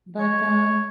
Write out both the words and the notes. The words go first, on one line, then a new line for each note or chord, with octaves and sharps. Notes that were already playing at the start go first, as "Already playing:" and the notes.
but, um,
C#5